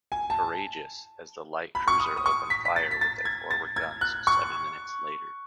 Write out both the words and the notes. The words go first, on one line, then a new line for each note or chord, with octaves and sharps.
"Courageous" and the light cruiser opened fire with their forward guns seven minutes later.
G#5
A5
B5
C#6
D#6
D#6
C#6
B6
B6
A6
B6
A6
G#6
A6
G#6
F#6
C#6